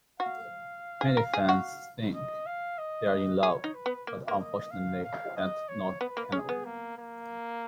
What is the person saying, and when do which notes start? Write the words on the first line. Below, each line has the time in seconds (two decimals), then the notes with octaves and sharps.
Many fans think they're in love, but unfortunately that's not canon.
0.20 F#4 F5
1.01 G#4
1.17 A#4
1.33 G#4
1.49 F#4
2.14 D#5
2.46 F5
2.78 D#5
3.43 G#4 C#5
3.64 D#4
3.74 B4
3.86 B3
4.07 A#3
4.28 A#3
4.39 D#5
4.71 F5
5.04 F5
5.37 D#5
5.69 C#5
6.01 B3 B4
6.17 A#3
6.32 C#4 G#4
6.49 B3
6.65 A#3
6.98 A#3